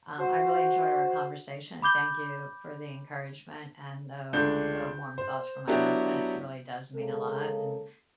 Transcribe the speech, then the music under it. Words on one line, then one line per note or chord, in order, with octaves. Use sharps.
um, I really enjoyed our conversation, and thank you for the encouragement and the the warm thoughts for my husband it really does mean a lot and
F#4 C5
B5 D6 G6 G7
C#2 D3 A3 D4 G6
C5
F#3 B3 D4 E4 G4
C#3 G#3 A#3 A4